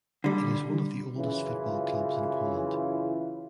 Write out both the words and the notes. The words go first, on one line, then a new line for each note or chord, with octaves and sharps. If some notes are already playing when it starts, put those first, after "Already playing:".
It is one of the oldest football clubs in Poland.
D3 G3
F#2 C#3 E3 C#4 E4 F4